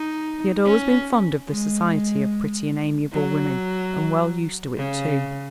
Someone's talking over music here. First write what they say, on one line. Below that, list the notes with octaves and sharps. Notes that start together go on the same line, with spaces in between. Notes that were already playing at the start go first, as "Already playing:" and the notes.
He had always been fond of the society of pretty and amiable women, and well used to it, too.
Already playing: D#4
C#4
G#3
F#3
C#3